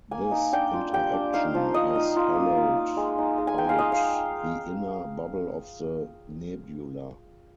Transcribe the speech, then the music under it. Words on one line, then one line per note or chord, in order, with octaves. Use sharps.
This interaction has hollowed out the inner bubble of the nebula.
A#3 G#5
D#4
D4 G5
F4
G3 G5
D4
D#4 F5
F3
F3 D#5
D#4
F4
A#3
F4
F4
G#3
D#4
G#3
G#5
G#3 G5
F5
F4 D#5
F5